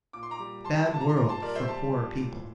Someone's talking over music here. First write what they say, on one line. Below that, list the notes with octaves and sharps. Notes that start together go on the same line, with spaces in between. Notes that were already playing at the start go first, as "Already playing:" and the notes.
"Bad world for poor people."
A#2 D6
C6
A#5 D6
G3
G3 A5 C6
A#2 A5
A#5
C6
A#2 A#5 D6
A5 C6
G3 A#4 D5
C5 E5
G3 A5 C6
A#2
A2